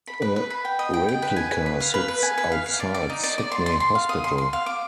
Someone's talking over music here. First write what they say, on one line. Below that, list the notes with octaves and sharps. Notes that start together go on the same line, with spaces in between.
A replica sits outside Sydney Hospital.
B5
B4
B4
B5
G5
D#5
G5
G5
B4
G#5
B4
B4
F5
B4
B4
G#5
B4
F5
F5
D5
D5
D#4
D5
D5
C6
C6
C6
F5
D#6
C6
C6
F5
D6